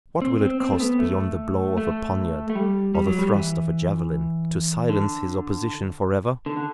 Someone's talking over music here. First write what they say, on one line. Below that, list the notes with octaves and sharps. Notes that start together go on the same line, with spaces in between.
What will it cost beyond the blow of a poniard, or the thrust of a javelin, to silence his opposition for ever?
C4
C4
C4
A3
B3
A3
A3
A3
G3
G3
F#3
G3
E3
D3
D3
D3